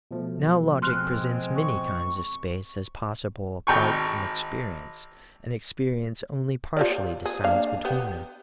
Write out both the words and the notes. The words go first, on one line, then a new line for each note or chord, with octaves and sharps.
Now, logic presents many kinds of space as possible apart from experience, and experience only partially decides between them.
B2 F3 A3
G#3 C4 C6 F6 F#6
C#6
G#1 G5 C#6
F4 G4 D5
G#4
A#3 D4 F5
B3 G4